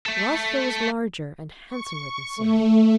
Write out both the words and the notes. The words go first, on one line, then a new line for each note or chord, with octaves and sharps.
Rosville was larger and handsomer than Surrey.
A3 A4
C#6
A3